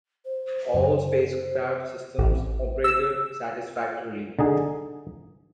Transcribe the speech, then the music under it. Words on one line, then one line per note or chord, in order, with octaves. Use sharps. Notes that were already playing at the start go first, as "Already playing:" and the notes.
All spacecraft systems operated satisfactorily.
C5
F#2 C#3
A1
E6
D3 D#4 G#4